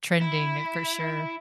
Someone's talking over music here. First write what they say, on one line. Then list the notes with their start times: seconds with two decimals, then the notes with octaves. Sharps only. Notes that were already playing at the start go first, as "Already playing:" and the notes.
trending, uh, for sure.
0.21 E4